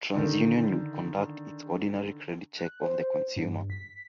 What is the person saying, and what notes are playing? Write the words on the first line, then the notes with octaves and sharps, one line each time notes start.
TransUnion would conduct its ordinary credit check of the consumer.
D3 D#3
F#6
C5
G2
B6